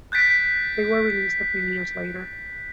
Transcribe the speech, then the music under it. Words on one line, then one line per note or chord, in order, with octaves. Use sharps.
They were released a few years later.
F#6 G6 A6 B6 D7